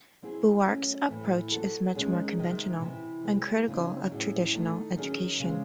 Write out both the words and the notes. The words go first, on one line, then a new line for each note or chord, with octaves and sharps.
Buarque's approach is much more conventional, uncritical of traditional education.
F#3 C4 E4 G#4
F#3 A3 C#4
A2 E3 A3 C4
F#3 C4 F#4 A4
D#3 G#3 C#4 G#4
C3 D#3 G#3 D#4
C3 E3 C4
E3 G#3 C4
C#3 F#3 C4 D#4
A2 F#3 C#4 E4 G#4
D#3 A3 D#4
D#3 F#3 C#4 G#4
C#3 G#3 C4